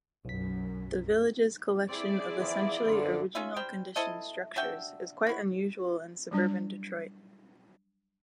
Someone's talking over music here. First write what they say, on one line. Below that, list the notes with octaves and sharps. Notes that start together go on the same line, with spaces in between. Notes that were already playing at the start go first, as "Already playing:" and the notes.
The village's collection of essentially original-condition structures is quite unusual in suburban Detroit.
B1 F#2 B6
C4 E4 G#4 D5
E3 F3 B3
F#2 D3 C6
C#4 D#4 F4 E5
G3 C5 G5
E4 A4 C5 D#5
D4 F#4 E5 G5
E4 F#4
F#3 G3 D4